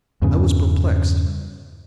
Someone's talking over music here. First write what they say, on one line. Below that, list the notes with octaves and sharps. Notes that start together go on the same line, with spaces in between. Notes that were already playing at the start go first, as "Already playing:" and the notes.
I was perplexed.
E2 G2 C#3